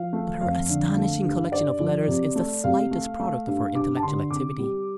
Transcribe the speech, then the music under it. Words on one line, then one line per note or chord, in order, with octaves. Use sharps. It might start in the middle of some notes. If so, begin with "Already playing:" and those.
But her astonishing collection of letters is the slightest product of her intellectual activity.
Already playing: F3 F5
A3
F2 F5
D3
A3
G2
G2 D5
F3
C3
A3
C3 F5
A3
A3
G2
G2 D6
A5
D3 C6
C3 D6
G3